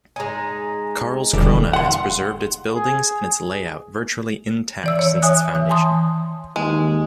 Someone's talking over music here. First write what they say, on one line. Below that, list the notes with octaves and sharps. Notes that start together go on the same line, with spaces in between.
Karlskrona has preserved its buildings and its layout virtually intact since its foundation.
G#3 D#4 G#5 A#5
E1 D3 E3 G3 G4
F#5 C6
G#4
E3 D5 E6
C#5
C#5 E5 G#5 D#6 F#6
E3
G#5 A5 C6 D#6
D#2 G#3